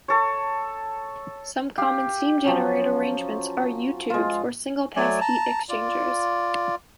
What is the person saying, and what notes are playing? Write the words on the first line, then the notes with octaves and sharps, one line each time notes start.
Some common steam generator arrangements are u-tubes or single pass heat exchangers.
A4 C#5
G4 F5
F3 F#3 C#4
G#3 F4
F#3 A3 D5 G#5
A5 A#5
F4 D5